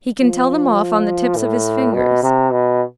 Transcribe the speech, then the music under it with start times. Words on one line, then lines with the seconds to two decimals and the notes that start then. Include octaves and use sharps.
He can tell them off on the tips of his fingers.
0.21 F3
1.36 A2
1.94 B2
2.23 C3
2.52 B2